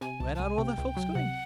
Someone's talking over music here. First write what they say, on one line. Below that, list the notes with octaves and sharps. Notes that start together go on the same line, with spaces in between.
"Where are all the folks going?"
C3 G#5
C2 A5
A5
C2 G#5
C3 G5
C#2
F#3
C3 F#5